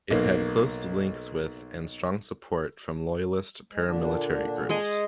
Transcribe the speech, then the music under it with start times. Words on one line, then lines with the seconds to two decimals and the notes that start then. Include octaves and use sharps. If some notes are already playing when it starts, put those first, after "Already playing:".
It had close links with, and strong support from loyalist paramilitary groups.
0.11 B1 A#3
3.73 G#3
3.87 A#2 D3 D4
4.69 G#3 G#4 D#5